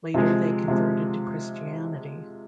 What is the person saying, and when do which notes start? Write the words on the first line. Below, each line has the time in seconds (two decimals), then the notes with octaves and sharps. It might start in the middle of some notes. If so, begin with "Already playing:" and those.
Later they converted to Christianity.
0.14 C3 F3 G#3
0.68 C3 F3 G#3